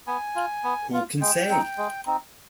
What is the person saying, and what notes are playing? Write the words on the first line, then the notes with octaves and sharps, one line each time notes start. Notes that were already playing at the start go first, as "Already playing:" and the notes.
Who can say?
B3 G#5
F4
B3
F4
G#3 G5
C4 D#4
G#3
C4 D#4